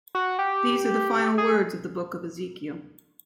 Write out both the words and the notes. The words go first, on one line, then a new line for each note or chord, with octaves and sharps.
These are the final words of the Book of Ezekiel.
F#4
G4
G#4